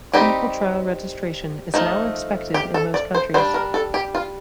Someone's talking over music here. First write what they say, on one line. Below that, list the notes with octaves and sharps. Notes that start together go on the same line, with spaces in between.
Clinical trial registration is now expected in most countries.
G3 C4 D#4 G4
F3 A3 D#4
G4
A4
D5
C5
G3 D4 C5
A#4
A4
G4
F4